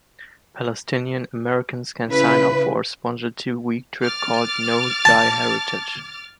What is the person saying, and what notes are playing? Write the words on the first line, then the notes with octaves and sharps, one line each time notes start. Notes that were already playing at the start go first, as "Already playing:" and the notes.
Palestinian-Americans can sign up for a sponsored two-week trip called Know Thy Heritage.
C#3 E4 B4
D6 F6 A6
A5